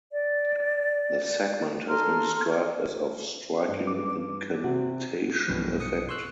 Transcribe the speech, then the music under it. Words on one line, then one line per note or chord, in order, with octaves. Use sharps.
The segment has been described as of "striking incantation effect".
D5
A4 A#5 C6 F6
G2
D6
C3 F#4
B1 G2 B2 E3 F3
B1 D#6 C#7
C6 C#6 E6 F#6